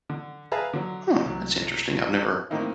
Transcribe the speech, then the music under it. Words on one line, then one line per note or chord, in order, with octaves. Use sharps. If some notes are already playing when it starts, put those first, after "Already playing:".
Huh, that's interesting. I've never
D3
G#4 B4 E5 F5 A5 A#5
D3 F#3
C2 F#3
A2 D#3 A#3 C4 D#4 E4